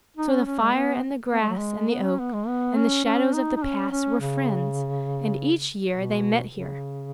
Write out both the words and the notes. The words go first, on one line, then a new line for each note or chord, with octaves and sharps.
So the fire, and the grass, and the oak, and the shadows of the Past were friends, and each year they met here.
D#4
C#4
C#4
G#3
B3
B3
G#3
F#3
G#3
B3
C#4
B3
G#3
B3
C#4
C#4
D#4
D#4
C#4
C#4
C#3
B2
C#3